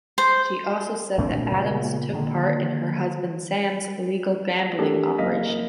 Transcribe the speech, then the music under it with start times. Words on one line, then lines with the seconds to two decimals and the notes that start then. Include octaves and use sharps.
She also said that Adams took part in her husband Sam's illegal gambling operation.
0.18 C5
1.18 A#2 A3 C4 D4
1.51 A#2 C#3 B3
2.13 D3 D#3 A#3
4.78 A3 D4 G4 A4 A#4
5.18 F#1 A#3 D#5 F5 B6